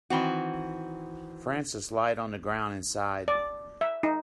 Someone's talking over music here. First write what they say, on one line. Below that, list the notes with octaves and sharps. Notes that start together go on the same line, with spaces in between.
Francis lied on the ground and sighed.
D#3 E3 C4 F#4
D5
E5
D#4